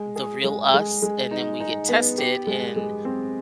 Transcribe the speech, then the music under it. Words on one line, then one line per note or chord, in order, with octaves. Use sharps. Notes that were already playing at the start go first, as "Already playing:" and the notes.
the real us and then we get tested in
Already playing: G#3
G#4
G#3
G#3
G#3
D#4
D#4
B3
G4
G#3
G#3
C4